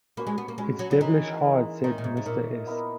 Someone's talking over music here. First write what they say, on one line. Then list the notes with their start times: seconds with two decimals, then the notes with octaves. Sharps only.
"It's devilish hard," said Mr. S..
0.17 A#3 C#4 F#4 B4
0.27 G#3
0.38 B3
0.48 A#3
0.58 G#3 C#4 F#4 B4
0.79 F#3
0.91 F#3
1.00 E3 G#3 D#4 A#4
1.42 G#3 D#4 A#4
1.83 D#3 D#4 A#4 C#5 E5
1.98 A#2
2.04 G#2
2.17 G#2
2.25 A#2 D#4 A#4 C#5 E5
2.67 B3 E4 A#4 D#5